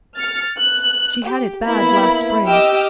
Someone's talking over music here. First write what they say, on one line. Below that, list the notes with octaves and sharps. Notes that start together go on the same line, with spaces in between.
She had it bad last spring.
F6 A6 C#7
F#6
G4
A#3 B3 E4 B5
G4 D#5 G5 D6 E6 F6